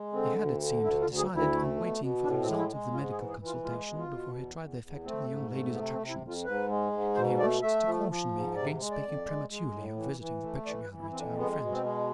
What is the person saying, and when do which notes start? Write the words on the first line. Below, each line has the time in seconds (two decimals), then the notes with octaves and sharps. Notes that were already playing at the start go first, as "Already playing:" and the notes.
He had, it seemed, decided on waiting for the result of the medical consultation before he tried the effect of the young lady's attractions; and he wished to caution me against speaking prematurely of visiting the picture gallery to our friend.
Already playing: G#3
0.12 D3 C4
0.36 D2
0.60 D3
0.83 D2 E4
1.01 F4
1.07 D2
1.18 G#4
1.31 D2
1.36 E4
1.53 A3
1.76 B2
2.00 B2
2.23 A2 D4
2.42 C4
2.47 G#3
2.59 E4
2.71 G#3
2.93 G#2 F4
3.12 G#4
3.17 E3
3.29 G#4
3.40 E3
3.46 F4
3.64 G#3 F4
3.87 B2
3.99 F4
4.11 B2
4.34 E2
4.58 E2
4.81 E2
5.04 A3 C4
5.28 G#2
5.51 A3
5.74 C3 B3
5.92 C4
5.98 C3
6.09 E4
6.21 F2
6.28 F4
6.45 G#2 B4
6.69 G#3
6.92 G#2
7.15 B2 C5
7.38 A3 D5
7.62 A3 E5
7.85 F3
8.09 F3
8.33 G#2
8.56 C3 D5
8.79 G#3
8.91 D5
9.02 F2
9.26 G#3
9.49 G#3
9.73 A2
9.96 E3
10.20 E3
10.43 A3
10.66 E3 D5
10.84 B4
10.89 E3
11.01 E4
11.12 F2 C4
11.18 D4
11.37 G#3 B3
11.60 B2
11.72 C4
11.83 G#3